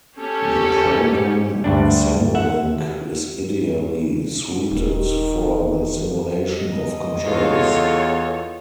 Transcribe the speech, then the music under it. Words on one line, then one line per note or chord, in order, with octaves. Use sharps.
The program Simulink is ideally suited for the simulation of controls.
C#4 G4 A4
D2 G2 D4
E5 F#5
D#1 D#3
D#5
E2 F4 A4 C#5